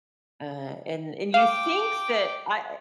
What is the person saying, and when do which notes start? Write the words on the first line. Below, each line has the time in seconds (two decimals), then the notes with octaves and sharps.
uh and and you think that I
1.34 F5 G5 D6